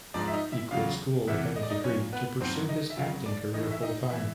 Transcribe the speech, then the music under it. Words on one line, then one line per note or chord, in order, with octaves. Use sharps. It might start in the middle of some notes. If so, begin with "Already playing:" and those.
He quit school without a degree to pursue his acting career full-time.
G#2 F3 D4 D5
E5
D#4 D#5
E4 E5
E2 C#3 F#3 F4 F5
E2 C3 E3 E4 E5
D#5
D5
D#4 D#5
A#2 F3 C#4 C#5
B3 B4
G2 D#3 F#3 C4 C5
D#4 D#5
E5
F2 C#3 F#3 F4 F5
D4 D5
A2 E3 D#4 D#5
E5
D#4 D#5
E3 E4 E5